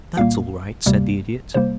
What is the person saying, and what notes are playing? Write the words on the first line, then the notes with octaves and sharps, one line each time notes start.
"That's all right," said the Idiot.
C2 A#2 G3 A#3 F5
D2 C3 G3 A#3
C3 G3 A#3 C5